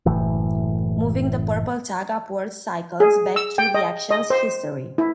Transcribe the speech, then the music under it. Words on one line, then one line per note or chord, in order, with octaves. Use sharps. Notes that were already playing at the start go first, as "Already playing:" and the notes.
Moving the purple tag upwards cycles back through the actions history.
F#1 A2 E3
G#4
E6
G5
D#5
D#5
C5
E4